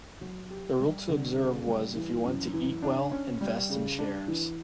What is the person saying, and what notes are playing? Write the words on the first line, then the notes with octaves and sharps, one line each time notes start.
The rule to observe was if you want to eat well, invest in shares.
F#3
G4
G3
D3
C#3
G3
E3
F#2
E3
D4
C#4
G3
C#3
D4
E3